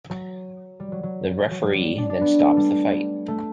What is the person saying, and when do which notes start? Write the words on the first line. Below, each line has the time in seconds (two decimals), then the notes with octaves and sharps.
The referee then stopped the fight.
0.10 F#3
0.80 G3
0.92 F#3
1.03 F#3
1.51 F#3
1.62 F#3
1.74 G3
1.98 D4
2.10 D4
2.21 B3
2.39 A3
2.57 G3
3.28 A3